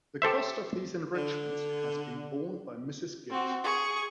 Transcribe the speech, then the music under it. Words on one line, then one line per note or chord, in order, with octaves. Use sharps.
The cost of these enrichments has been borne by Mrs. Gibbs.
G4 A4 C5 E5
D3
C4 F#4
G#4 C#6